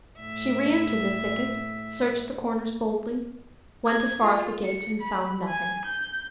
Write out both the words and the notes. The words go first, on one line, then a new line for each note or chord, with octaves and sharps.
She re-entered the thicket, searched the corners boldly, went as far as the gate, and found nothing.
A2 E5
G#6
F4
C#7
B5
G#5
G6